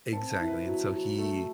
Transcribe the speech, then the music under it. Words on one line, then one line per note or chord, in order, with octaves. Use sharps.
Exactly and so he
C4 A5
A5
E4
B4
F#3
F#3
A3 A4